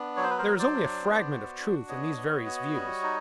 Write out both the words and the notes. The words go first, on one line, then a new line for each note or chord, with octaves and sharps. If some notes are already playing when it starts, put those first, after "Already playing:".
There is only a fragment of truth in these various views.
Already playing: B3 D4
F#3 C#5
C5
B4
A#4 C5
F#3
C5 D5
D4
B3
F#4
D4
B3 C#5 D#5
B3
F#4
G3
D#4